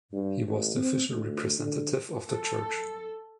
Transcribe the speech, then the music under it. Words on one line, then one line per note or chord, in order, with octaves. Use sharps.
He was the official representative of the church.
G2
A1
C4
D2
D3
A4